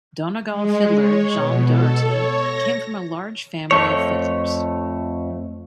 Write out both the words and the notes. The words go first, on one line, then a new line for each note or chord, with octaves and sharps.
Donegal fiddler John Doherty came from a large family of fiddlers.
G#3
C#5
B2
A4
C#5
A#6
F2 A3 C#5